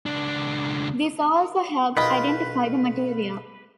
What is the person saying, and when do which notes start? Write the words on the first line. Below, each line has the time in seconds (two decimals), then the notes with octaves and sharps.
This also helps identify the material.
0.06 C#2 D4
1.97 B1 D#3 F4 B4 D#5 B5